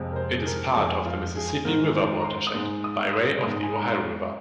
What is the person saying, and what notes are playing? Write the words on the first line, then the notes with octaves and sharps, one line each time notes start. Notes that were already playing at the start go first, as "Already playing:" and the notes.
It is part of the Mississippi River watershed, by way of the Ohio River.
Already playing: F2 C3 G#3
A#4
C5
G#4
A#4
F4
F2 F3 G#3 G#4
F4
G#4
G#2 D#3 G#3 A#4
C5
A#5
C6
D#6
G#2 G#3 C6
D#6
D#6
G#2 G#3 D#6
G#5
A#5
C6